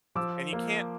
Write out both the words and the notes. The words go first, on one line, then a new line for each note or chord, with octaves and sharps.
And you can't
F3 D6 E6
A#3